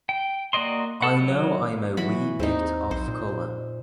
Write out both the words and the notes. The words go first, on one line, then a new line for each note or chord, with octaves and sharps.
I know I'm a wee bit off color.
G5
A#3 F#4 D5 D#5 C6
A4 F#5
F#3
E3 F#3 F#4 B5
D#2 C4 D#4
B1 C5
A#2